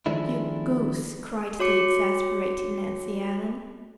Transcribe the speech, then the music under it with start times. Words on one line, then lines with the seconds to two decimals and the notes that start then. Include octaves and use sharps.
"You Goose!" cried the exasperated Nancy Ellen.
0.06 D#3 F3 G#3 A3 D4 E4
1.60 F#4 C#5 D6 C#7